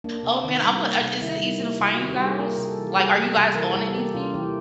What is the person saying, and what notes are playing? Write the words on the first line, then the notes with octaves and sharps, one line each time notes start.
Oh man. I'm a uh, is it easy to find you guys? Like, are you guys on anything?
A#3 D4
C3
D#3
G3
A#3
C3
D#3 E4
G3
A#3
C3 F4
F#4
D#3
G4
G3
G#4
A#3 A#4
C3
A4
E3
G4
G3 G#4
A#3
A4
C3
E3 A#4
G3 A4
A#3 G4
C3 F4
E3 G4